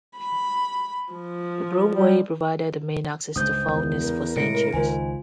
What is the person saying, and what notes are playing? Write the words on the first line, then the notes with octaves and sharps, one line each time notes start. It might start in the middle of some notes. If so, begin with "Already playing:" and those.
The Broomway provided the main access to Foulness for centuries.
B5
F3
G3
C#2 G2 C5 D#6 G6
E2
A#4
A2 C3 G#3 A#6 C#7 D7
C#2 D#3 F4 C5 G#5